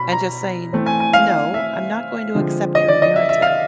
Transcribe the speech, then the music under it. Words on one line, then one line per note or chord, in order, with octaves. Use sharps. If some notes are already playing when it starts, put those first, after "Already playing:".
and just saying, "No, I'm not going to accept your narrative."
Already playing: B2 B5
A#5
E3 A3 C4
G#5
G#5
F5
E5
D3 F3 G#3 C4
D#5
D5
D#5
E5
E5
F5